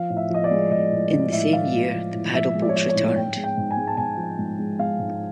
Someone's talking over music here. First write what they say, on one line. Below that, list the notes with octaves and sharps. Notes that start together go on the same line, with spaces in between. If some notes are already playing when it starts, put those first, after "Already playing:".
In the same year, the paddle boats returned.
Already playing: F3 F5
A2
E5
F3 D#5
D5
G#3
G#3 D#5
A2
A2
A2 E5
A2 F5
A2
F3
A2
F3 E5
G#3
D5
C#5
F3 D5
C#5
A2
G#2 G5
G#3
G5
G#2
G#5
G#3
A5
G#2 G#5
F3
G#2
G#3
G#3 F5
G#2